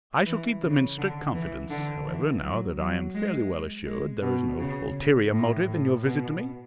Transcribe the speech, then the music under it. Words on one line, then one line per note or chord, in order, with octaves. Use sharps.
I shall keep them in strict confidence, however, now that I am fairly well assured there is no ulterior motive in your visit to me.
E3
C#3
D3
E3
D3
E3
F#3
F#3
G#3
G#3
B2
C#3
A2
A2
B2